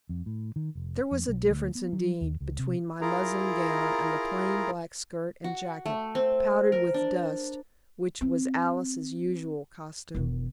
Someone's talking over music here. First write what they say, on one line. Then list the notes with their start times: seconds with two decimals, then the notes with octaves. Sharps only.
There was a difference indeed between my muslin gown and the plain black skirt and jacket, powdered with dust, which was Alice's usual costume.
0.09 F2
0.26 A2
0.56 D#3
0.75 F1
1.11 F2
1.28 B1
1.49 D2
1.75 B3
1.93 F#3
2.21 D#2
2.41 C#2
2.59 C3
3.01 E4 F4 G#4 A#4 A#5
5.44 F#4
5.86 A3
6.15 C4
6.72 A#4
6.94 D4
8.21 C4
10.15 E1 D#3